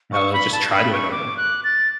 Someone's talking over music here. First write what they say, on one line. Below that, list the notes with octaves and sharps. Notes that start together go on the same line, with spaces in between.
Oh, just try to annoy them.
C#6
B5
A5
B5
C#6
D6
F#6
A6